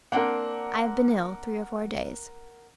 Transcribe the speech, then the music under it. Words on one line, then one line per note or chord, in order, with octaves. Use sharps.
I have been ill three or four days.
A#3 C4 D4 A#4 F#5